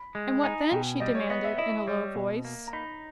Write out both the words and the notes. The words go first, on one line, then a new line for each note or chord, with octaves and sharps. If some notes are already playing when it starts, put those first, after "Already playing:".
"And what then?" she demanded, in a low voice.
Already playing: B5
G#3
D#4 G#5
B2 G5
G3 D#5
C#5
B3 D#5
E5
E4 D#5
G3 C#5
B2 D#5
A#3
A#5
D#4 B5